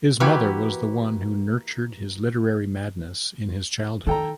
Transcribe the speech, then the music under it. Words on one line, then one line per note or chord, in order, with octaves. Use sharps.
His mother was the one who nurtured his literary madness in his childhood.
E3 A#3 F#4 G4 B4
D#3 A4 G5 A#5